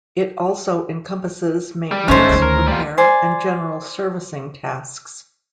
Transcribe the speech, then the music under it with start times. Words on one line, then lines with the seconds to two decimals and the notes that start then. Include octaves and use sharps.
It also encompasses maintenance, repair, and general servicing tasks.
1.92 G3
2.08 A2 D#3 G#3 A3 C#4 C5
2.29 D2 D#3
2.42 A#4
2.67 G3 F4
2.98 C5 D5 G#5